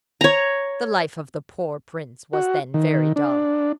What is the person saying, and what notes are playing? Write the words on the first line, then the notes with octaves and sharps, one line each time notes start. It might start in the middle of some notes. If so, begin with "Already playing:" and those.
The life of the poor prince was then very dull.
C#5 A#5
F#4
D#3
D4